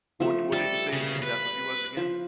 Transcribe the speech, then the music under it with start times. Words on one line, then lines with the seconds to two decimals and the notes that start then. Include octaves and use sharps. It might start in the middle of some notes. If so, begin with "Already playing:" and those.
What d what did you say the name of that movie was, again?
0.20 F3 A3
0.53 G3 A4
0.93 C#3
1.23 B4
1.97 F3